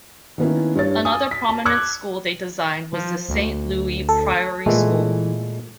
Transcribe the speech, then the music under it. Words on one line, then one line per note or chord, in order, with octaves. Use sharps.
Another prominent school they designed was the Saint Louis Priory School.
D#3 A#3 B3 C#4 E4
G2 C#5 A6
G#5 D#6
B6
A5
D6 E6 F#6 G#6 C#7
F3
D2
A4
A#2 E3 G#3 A3